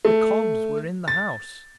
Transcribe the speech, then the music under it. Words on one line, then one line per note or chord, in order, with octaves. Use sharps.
The cobs were in the house!
A3
A6